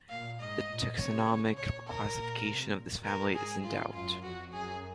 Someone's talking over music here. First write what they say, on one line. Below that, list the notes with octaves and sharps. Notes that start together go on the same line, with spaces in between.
The taxonomic classification of this family is in doubt.
A#2 F5
G#2 D#5
A#2
C3 C#5
C#3
A#2 C#5
A#4
A#2
C3
A#2
A#4
G#2 G#4
F4
F#2 F4
F2 F#4
F#2 G#4